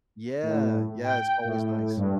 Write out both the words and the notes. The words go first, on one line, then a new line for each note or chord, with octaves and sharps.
Yeah, yeah it's always nice.
A2
G5
A2
G2